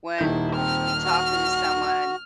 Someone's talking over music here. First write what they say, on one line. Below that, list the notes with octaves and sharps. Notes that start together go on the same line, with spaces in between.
when you talking to someone,
D#1 D#3 E4 G6
C4 F6
F#4